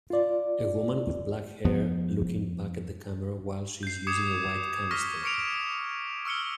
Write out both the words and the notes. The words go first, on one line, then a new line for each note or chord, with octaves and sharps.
A woman with black hair looking back at the camera while she is using a white canister.
F4 D5
F2 F3 B3
G6 C7
D6 D#6 G#6 C#7 E7
C#6 F6 A#6 B6
C#6 D6 C#7 D7 F7
C#6 E6 F6 C#7 G7